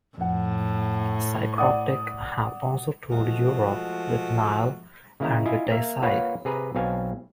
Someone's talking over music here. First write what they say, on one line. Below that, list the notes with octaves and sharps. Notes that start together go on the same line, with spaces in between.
Psycroptic have also toured Europe with Nile and with Deicide.
F2 A2 F#5
D5 F#5 D#6
F3 G#3 A3 F#4
C#3 A#3 E4 D#5 A#5
E4 F4 D#5 G#5
A#3 A#4 E5
A#3 F4 B4 C#5 F5 F#5
C3 G#4 B4 A#5
B1 B2 C4 F5 G#5 A5